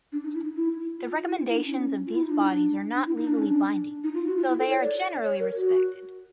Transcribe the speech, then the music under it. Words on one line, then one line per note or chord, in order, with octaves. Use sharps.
The recommendations of these bodies are not legally binding, though they are generally respected.
D4
D#4
E4
D#4
E4
F4
F4
E4
F4
E4
D4
C#4
F4
E4
D#4
D4
D4
E4
D#4
D4
C#4
D4
D#4
F4
F#4
F4
E4
A4
C#5
D5
C#5
A#4
F#4